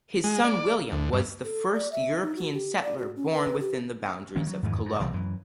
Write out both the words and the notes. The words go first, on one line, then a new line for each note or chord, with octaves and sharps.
His son William was the first European settler born within the boundaries of Cologne.
G#3
D5
D2
G2
A4
D5
E5
D#4
F#4
G4
D5
F#4
C#4
B4
G4
D#3 F3 A#3 C#4
F#3
F2 G#2 D#3 E3
G2
C2 B2 E3 G3
F#2 E3